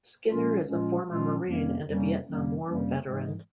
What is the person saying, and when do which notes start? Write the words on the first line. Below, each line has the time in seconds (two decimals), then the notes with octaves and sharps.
Skinner is a former Marine and a Vietnam War veteran.
0.25 A#2 F3 G#3 C#4 F4
0.65 A#2 F3 G#3 C#4 F4
1.04 A#2 F3 G#3 C#4 F4
1.45 F2 C3 G3 A#3 C#4
1.84 F2 C3 G3 A#3 C#4
2.24 F2 C3 G3 A#3 C#4
2.63 F2 C3 G3 A#3 C#4
3.03 G#2 E3 G#3